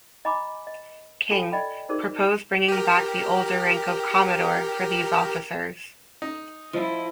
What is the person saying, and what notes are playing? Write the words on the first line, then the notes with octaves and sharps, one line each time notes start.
King, proposed bringing back the older rank of "commodore" for these officers.
D#5 G#5 A#5 B5 D6
D#5
F4 A4 G5 G#5
D5 D#5 G5 B5
D#4 F#4 G#4 A#4 C5 D5
G4 A#4
D#4
F3 E4 D#5